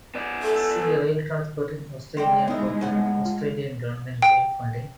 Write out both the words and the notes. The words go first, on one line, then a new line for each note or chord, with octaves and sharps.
See Rail transport in Australia for current Australian Government rail funding.
B3 D5
A4
G#3 C4 D5 G5
E3 B3 D#4 E4 A#4
A2 F#5 G#5
F4
G5